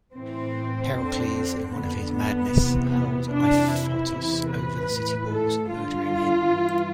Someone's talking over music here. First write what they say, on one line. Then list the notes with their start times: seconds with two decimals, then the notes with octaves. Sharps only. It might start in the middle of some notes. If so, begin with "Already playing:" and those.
Heracles, in one of his madness, hurled Iphitos over the city walls, murdering him.
0.14 A2 E3 C4
0.93 F2 D3
1.72 F2 D3 B3
2.12 B3
2.52 E2 C3 E3
2.92 B3
3.31 F2 C3 E3 D4
3.71 E4
4.12 E2 C3 E3
4.51 B4
4.91 A2 E3
5.31 A4
5.69 G2 D3 F4
6.50 G2 E3